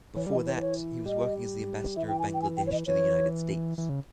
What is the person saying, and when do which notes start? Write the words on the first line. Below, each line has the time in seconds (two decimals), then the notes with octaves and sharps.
Before that he was working as the Ambassador of Bangladesh to the United States.
0.16 E3 C#5
0.26 G3
0.32 D#5
0.35 E3
0.46 C#5
0.57 B4
0.61 C#5
1.06 G3 D#5
1.96 E3 E5
2.08 G5
2.19 G#5
2.34 G5
2.42 G#5
2.57 G5
2.67 C#5
2.72 D#5
2.87 E3 C#5
3.78 E3
3.89 C#3